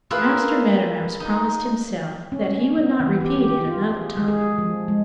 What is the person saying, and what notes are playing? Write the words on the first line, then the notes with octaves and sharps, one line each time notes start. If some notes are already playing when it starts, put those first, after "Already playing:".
Master Meadow Mouse promised himself that he would not repeat it another time.
A#3 E4 F4 G#4 B4
D#4
C#4
B3
E3
G4
G4
F4
G#4
G#3
G#4
F3
G#3